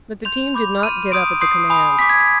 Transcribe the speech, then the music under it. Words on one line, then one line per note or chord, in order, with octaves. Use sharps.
But the team did not get up at the command.
C6 G6 F7
B5 D6 G6
C6 F6 D#7
C6 D#6 G6 D7
C6 D#6 G6 C7
G#5 B5 D#6 G6
G#5 D6 G6 B6
G#6
B6